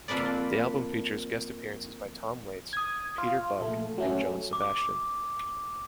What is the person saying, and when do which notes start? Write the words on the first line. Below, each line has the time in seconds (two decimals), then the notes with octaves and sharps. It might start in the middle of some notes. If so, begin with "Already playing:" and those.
The album features guest appearances by Tom Waits, Peter Buck and John Sebastian.
0.08 F2 A#3 D4 B4 D5
2.73 D#6 G#6
3.18 F4
3.60 A#1 A3
3.98 F#3 A3 C#4
4.53 D6